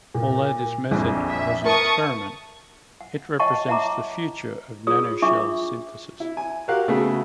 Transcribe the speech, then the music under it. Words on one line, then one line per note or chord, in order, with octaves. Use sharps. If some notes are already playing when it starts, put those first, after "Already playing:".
Although this method was an experiment, it represents the future of nanoshells synthesis.
A#2
A#1 F2
E5
A#4 A5 C#6 D#6
F#5
C#5 D#5 F#5 G5 A5 C#6
C#5 E5 F#5 A5 A#5 D6
F4 G#4 C#5 D#6 E6
D4 F4 E5 C#6 D6
E4
G#5
F#4 G4 A#4 F5 F#6
C#3 A3 B3 F#4 G#4